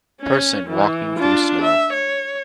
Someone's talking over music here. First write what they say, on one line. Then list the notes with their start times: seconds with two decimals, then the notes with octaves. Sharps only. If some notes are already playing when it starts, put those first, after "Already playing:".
Person walking through snow.
0.21 C#4
0.69 E3
1.17 D4 F4
1.62 E5
1.93 C#5